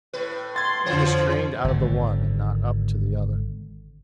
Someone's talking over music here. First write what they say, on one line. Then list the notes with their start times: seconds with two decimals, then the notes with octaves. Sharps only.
He was trained out of the one and not up to the other.
0.13 A2 B4
0.56 C6 G#6 A6
0.86 F2 D3 E3 F3 C5
1.64 G#1 D3